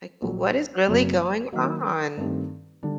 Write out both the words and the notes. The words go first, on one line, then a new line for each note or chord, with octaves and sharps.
Like, what is really going on?
A#1 A#2 F#3
F#1 F#2 F#3 C4
D#3 F#3 A#3 D#4
G2 D#3 A3 C4 G4
D3 G3 D4